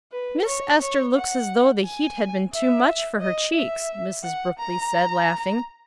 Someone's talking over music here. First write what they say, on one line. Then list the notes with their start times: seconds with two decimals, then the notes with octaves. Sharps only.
"Miss Ester looks as though the heat had been too much for her cheeks," Mrs. Brookley said, laughing.
0.12 B4
0.46 C#5
0.81 C#5
1.16 F#5
1.84 G#5
2.53 E5
3.21 D#5
3.55 E5
4.23 F#5
4.59 A#5